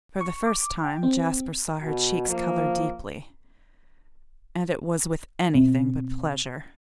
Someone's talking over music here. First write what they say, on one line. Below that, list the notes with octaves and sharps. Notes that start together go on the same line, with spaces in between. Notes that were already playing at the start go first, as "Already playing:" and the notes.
For the first time Jasper saw her cheeks colour deeply, and it was with anything but pleasure.
C#6
D6
G5
C4
B2
F3 A#3
B2 C4